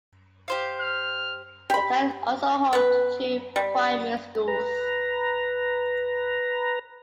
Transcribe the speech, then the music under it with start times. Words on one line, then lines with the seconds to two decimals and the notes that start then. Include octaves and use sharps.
The town is also home to two primary schools.
0.48 G4 C5 F5
0.81 F6
1.70 G4 B5
2.73 B3 B4
3.56 G3
4.48 B4 A#5